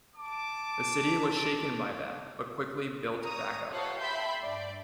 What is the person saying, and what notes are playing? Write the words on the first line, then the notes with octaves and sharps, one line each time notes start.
The city was shaken by that, but quickly built back up.
A5 D6
C#5 A#5 D#6
F4 G4 A4 C#5 F5 F#5
E5 G5 A5 B5 C6 G6
G2 D5